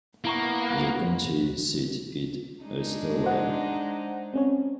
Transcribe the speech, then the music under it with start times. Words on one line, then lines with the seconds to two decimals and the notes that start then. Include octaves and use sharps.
The county seat is Astoria.
0.25 A#3 B3 E4 A#5 C#6
2.64 G#3 D4 D#4
3.25 C5 F#5
4.34 C4 C#4 C#5